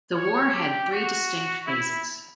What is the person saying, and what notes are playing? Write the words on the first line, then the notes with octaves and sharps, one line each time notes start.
The war had three distinct phases.
C#5
G4
F#4
E4